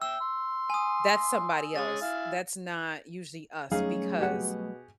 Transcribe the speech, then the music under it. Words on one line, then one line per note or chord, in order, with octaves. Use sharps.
that's somebody else. That's not usually us because
E5 G5 E6
C6
G#5 D#6
G#3 C#4 G#4 A6
E4 F5
F#3 G3 A3 C#4 D#4 G#4 F5
B2 F#4 G4 F#5